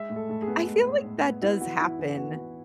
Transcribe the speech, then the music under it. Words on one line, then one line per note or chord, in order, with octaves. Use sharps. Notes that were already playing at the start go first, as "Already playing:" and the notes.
I feel like that does happen
Already playing: G#3 E5
A2
A4
A2 A4
G#4
B3
G#3
A2
A2
B3
B3 E4
B3 F#4
E3 E4
E3 E4
B3 F#4
B3